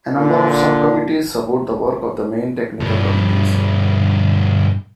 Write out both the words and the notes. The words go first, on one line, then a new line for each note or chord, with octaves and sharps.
A number of Sub-Committees support the work of the main technical committees.
A#2 D3
G2 B2